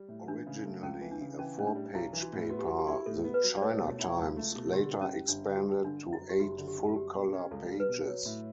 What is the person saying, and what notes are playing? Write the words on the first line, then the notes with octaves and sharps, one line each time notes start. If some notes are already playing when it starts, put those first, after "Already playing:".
Originally a four-page paper, the "China Times" later expanded to eight full-colour pages.
Already playing: G3
A2
E3 D4
C#3
A3
C#2 C#4
E3
D4
C#3
E3 C#4
A2 C#4
D4
G3
B1 E4
E3
F#4
A2
B3 F#4
G4
F#3 F#4
G4
E4
A2 A4
B3
B4
F#3
D5
A3 C#5
B2
E4
C#2
A3
B2
D3 G4
G2
C#4
G3
G1 D4
D3
F#4
G2
D3 D4
F#2
E4
F#3
G4
F#1 F#4
D3
G4
F#2
G3 G4
B2
C#4
C#2 A4
G3
B4
B2
F#3 C#5
A2